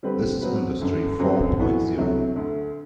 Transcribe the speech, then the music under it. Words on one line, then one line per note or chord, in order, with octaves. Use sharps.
This is industry four point zero.
D3 G3 C4 G4 B4
B2 F#3 C4 F#4 B4
G1 F#2 D3
F#2 D3 F#3 C4
A2 E3 B3 F#4 B4
D2 C3 F#3 A3 E4
D2 D3 A3